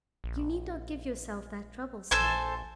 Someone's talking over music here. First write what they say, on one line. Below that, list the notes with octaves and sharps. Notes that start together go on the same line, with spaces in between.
"You need not give yourself that trouble, sir."
A#1
A#1 A4 C5 G#5